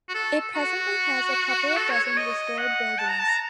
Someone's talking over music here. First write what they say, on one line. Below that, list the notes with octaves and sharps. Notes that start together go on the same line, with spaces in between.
It presently has a couple of dozen restored buildings.
F#4
A4
F#4
A4
C#5
C#5
D#5
F#5
A5
A#5
A5
A#5